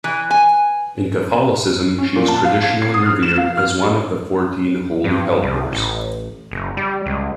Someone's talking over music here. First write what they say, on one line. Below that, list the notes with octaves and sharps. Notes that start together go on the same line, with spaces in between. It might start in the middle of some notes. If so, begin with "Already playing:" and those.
In Catholicism she is traditionally revered as one of the Fourteen Holy Helpers.
E3
G#5
C#4
A#2
A5
F5
G#6
C7
D#6
F6
E7
F5
F6
G2
C2
A1
F#1
G3
C#2